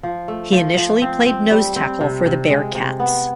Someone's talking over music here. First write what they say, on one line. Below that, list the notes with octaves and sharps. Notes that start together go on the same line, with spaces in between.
He initially played nose tackle for the Bearcats.
F3
A3
F3
F3
C4
C4
G3
C4
C3
C3
G#3
C3
B3